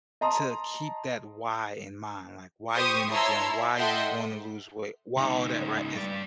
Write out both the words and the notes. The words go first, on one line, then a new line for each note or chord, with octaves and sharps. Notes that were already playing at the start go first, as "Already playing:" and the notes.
to keep that why in mind, like, why you in the gym? Why you wanna lose weight? Why all that, right, if
D#5 A5 A#5 C6 D#6
G4 C5 C6 C#6 D#6
E4 C#5 A5 A#5 C6 E6
E4
A4 D#5 E5 F#5 G5 C6
C#2 D#4
G2 D5